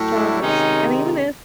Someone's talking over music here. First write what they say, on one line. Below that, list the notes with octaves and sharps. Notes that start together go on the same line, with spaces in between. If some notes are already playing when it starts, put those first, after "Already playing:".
job listing. And even if
Already playing: A2 F#3 A3
D4 E4
C3 D#3 G#3 C#4 D#4